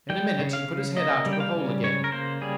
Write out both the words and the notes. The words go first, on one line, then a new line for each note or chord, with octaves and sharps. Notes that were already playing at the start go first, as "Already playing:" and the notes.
In a minute he put his head out of the hole again.
G3 G5
C#3
F5
C#3
A#3 D#5
G3
G5
F5
C#3
C#3 C#5
A#4
A#3 C5
G3 G#4